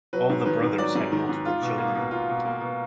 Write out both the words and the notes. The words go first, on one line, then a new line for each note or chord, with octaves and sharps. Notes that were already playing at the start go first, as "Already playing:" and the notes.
All the brothers had multiple children.
F#3 B4
G#2
D#3 B4
G#2
F#3 D5
G#2
D#3
G#2
F4
B2
A#3
B2
F4
B2
A#3
B2